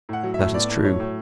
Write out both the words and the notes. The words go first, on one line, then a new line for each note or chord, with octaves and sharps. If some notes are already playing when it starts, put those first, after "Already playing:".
That is true.
A2 F#5
F#3
A2 E5
B3 D5
A2
F#3 C#5
A2